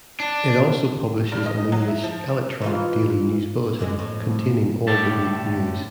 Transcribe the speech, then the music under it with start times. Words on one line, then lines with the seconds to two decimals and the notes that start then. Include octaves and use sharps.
It also publishes an English 'Electronic Daily News Bulletin' containing all the Greek news.
0.20 D4
1.32 G2
1.46 D#5
1.72 F#3
1.88 E4
2.03 F3
2.62 E3 D#4 F4
3.79 D#2 D3 G#3
3.99 F2 A2
4.88 A2 D3 G4 A5